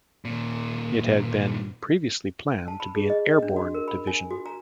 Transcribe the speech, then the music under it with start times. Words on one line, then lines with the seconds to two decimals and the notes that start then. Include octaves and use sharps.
It had been previously planned to be an airborne division.
0.25 D#2 A#2
2.68 A5
2.80 B5
2.96 G#4
3.10 D#5
3.31 D#5
3.43 D4
3.56 F#4
3.74 A#4
3.88 B5
4.07 G#5
4.30 F#4
4.46 A#5